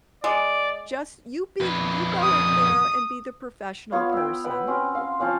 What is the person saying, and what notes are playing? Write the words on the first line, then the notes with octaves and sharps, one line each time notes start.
Just You be You go in there and be the professional person
G#3 D5
F2 B4
D#6
B3 F4 C#5 F5
E5 G5
B4 F#5 G5
C4 C#4 F#4
F5 C6
F3 C4 C#4 F5